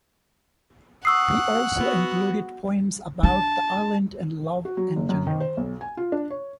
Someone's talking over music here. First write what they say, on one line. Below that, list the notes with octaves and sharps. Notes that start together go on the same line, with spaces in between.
He also included poems about the island and love in general.
F#5 C#6 D#6 E6 C7
B3 F#4
D4 A5
F#4
F#3
F#1
F#2
D#3
C5
B1
G#5
F4
D4
C#5